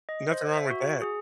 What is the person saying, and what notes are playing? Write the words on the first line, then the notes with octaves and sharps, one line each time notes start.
Nothing wrong with that.
D#5
C5
E5
F#4
G#4